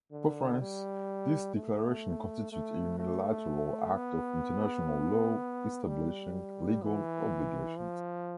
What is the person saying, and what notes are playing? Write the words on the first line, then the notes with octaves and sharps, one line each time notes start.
For France, this declaration constitutes a unilateral act of international law establishing legal obligations.
D3
G3
A3
A3
A3
B3
G3
E3
F3